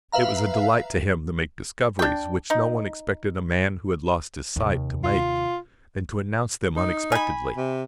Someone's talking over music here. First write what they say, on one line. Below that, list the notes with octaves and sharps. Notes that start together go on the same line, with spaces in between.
It was a delight to him to make discoveries which no one expected a man who had lost his sight to make, and to announce them unexpectedly.
B4 E5 F5 A#5
D4 G5
D#4
D#2 C3
F4
D#4
G#5 B5
C3